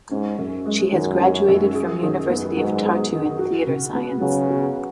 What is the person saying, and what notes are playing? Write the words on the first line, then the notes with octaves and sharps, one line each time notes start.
She has graduated from University of Tartu in theatre science.
G#2 C#4
F#2
G#3
F#2 D#3
C#4
F#2
G#4
D#3
B3
G#2 F#3
G#4
D#3
F#4
C#3
B3
C#3 F#3
F#4